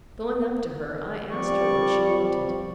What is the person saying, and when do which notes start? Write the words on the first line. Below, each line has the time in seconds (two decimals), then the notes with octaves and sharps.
Going up to her, I asked her what she wanted.
1.32 F2 F3 G3 D5 C#6